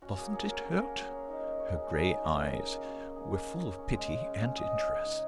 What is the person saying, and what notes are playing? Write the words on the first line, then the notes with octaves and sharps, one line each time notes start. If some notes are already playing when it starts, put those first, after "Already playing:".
"Dothent it hurt?"--her grey eyes were full of pity and interest.
C#4 F#4
F#4
A#3 G#4
F#3 G#4
F#3 A#4
C#4 A#4
A#3
F#3
F#3
D#4
F#3
C#3 C#5
C#3 G#4
F#4
D#4 G#4
F#3
C#3 A#4
G#4
C#3 F#4
D#4 G#4
A#3
C#3 F#4
C#3
D#4 G#4
A#3
C#3
C#3
C#4
G#3
C#3
C#3
C#4
G#3 D#5
C#3
C#3 G#5
D#4 F#5